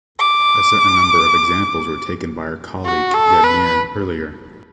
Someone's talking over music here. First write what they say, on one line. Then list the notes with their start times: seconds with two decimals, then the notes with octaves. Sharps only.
A certain number of examples were taken by our colleague Gagnaire earlier.
0.19 D6
2.85 F#4
3.14 A4
3.44 B4